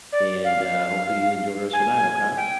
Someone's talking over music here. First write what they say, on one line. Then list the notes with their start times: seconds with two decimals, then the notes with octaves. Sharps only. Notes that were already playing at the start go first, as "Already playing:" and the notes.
and, uh, hopefully you enjoy the rest of your night, okay?
0.12 D5
0.44 F5
1.73 G#5
2.37 G5